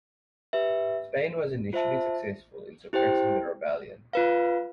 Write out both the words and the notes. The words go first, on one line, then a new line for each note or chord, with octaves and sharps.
Spain was initially successful in suppressing the rebellion.
G4 B4 E5
F4 C5 E5 A5
E4 G4 C5 G5
F4 B4 F5